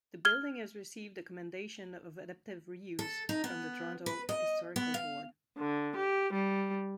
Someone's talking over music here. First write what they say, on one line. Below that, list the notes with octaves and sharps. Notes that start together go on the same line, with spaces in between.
The building has received a Commendation of Adaptive Re-use from the Toronto Historical Board.
F6 G#6 G7
A4
D#4
B3
B4
D#5
B3
F5
D3
G4
G3